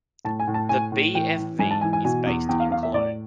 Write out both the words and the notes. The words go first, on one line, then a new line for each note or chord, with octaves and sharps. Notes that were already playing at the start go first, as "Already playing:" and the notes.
The BfV is based in Cologne.
A2 A5
G#5
A2
A5
A2 G#5
A2
E3 G5
E3
G#2 G#5
A5
E3 G#5
G#5
B2 G#5
E2
E2 G5
F5
E2 F5
E5
A2 D5